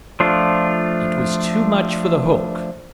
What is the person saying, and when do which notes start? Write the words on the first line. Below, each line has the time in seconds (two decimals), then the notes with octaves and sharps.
It was too much for the hook.
0.20 F3 A3 D4 F4